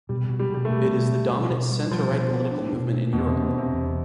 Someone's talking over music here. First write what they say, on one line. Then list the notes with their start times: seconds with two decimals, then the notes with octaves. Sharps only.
It is the dominant centre-right political movement in Europe.
0.09 B2 G3
0.29 B2
0.39 G3
0.50 B2 G3
0.65 A3
0.70 B2 G3
0.90 B2
1.10 G3
1.30 B2
1.50 B2
1.71 G3
1.91 B2 F3
2.11 B2
2.31 B3
2.52 D4
2.72 B2
2.93 A3
3.13 E2 B2
3.27 C3
3.33 D4
3.43 B2
3.53 D4
3.58 C3
3.73 E2